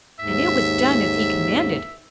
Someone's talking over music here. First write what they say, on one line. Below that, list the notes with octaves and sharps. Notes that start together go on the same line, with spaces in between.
And it was done as he commanded.
D#2 G#2 E5